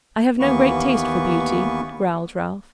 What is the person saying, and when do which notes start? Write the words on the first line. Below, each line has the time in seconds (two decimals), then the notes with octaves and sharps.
'I have no great taste for beauty,' growled Ralph.
0.40 D#2 E3 A#3 B3 B4 C#6